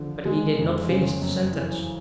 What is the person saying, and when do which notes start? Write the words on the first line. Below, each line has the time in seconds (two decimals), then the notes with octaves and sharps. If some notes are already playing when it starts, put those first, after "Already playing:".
But he did not finish the sentence.
Already playing: D3 F3
0.25 G#3
0.57 F2
0.89 C#3
1.21 F#2
1.53 E3